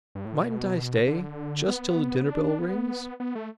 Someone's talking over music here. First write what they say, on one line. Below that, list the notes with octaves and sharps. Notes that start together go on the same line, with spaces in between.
"Mightn't I stay just till the dinner-bell rings?"
G2
A2
B2
D3
B3
B3
D4
B3
B3
A3